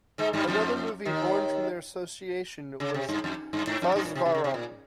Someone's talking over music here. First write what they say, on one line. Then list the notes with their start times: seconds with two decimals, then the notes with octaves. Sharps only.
Another movie born from their association was "Thazhvaram".
0.18 G#2 G#3
0.33 G2 G3
0.48 F2 F3
1.05 D#2 D#3
2.80 C#3
2.94 C3
3.09 G2
3.24 F2
3.53 G2
3.67 G#2
3.82 F2
3.96 G2
4.05 A#2
4.15 C3
4.25 C3
4.35 C#3
4.44 C3
4.54 A#2